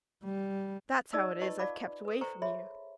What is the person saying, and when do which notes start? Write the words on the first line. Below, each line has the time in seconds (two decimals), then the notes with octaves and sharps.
That's how it is I've kept away from you.
0.24 G3
1.13 D#4 G#4 D5 D#5 A5 E6
1.41 F4 B4 D#5 A5 C#6
1.59 D5 F5 A5 B5 D6
2.05 A4 B4
2.21 C5 G5 A#5 C#6
2.42 G#4 C#5 E5 B5 C6